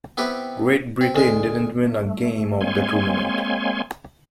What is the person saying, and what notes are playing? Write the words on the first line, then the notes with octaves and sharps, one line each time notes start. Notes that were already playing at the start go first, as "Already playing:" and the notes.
Great Britain didn't win a game of the tournament.
B3 C4 E4 G4 B4
C4
D2 G#3 G#4 C6
A3
G#3 A#3 C4 C#5 G#5 C6